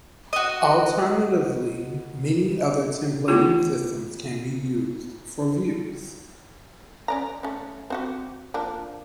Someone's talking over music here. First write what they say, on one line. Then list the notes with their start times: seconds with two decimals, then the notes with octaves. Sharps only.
Alternatively, many other templating systems can be used for views.
0.33 F#4 D#5
3.28 A3 B3 E4 F4 G4
7.08 C#4 D5 A#5
7.43 A3 C#4
7.90 C4 F#4 G4
8.54 F3 A#3 D4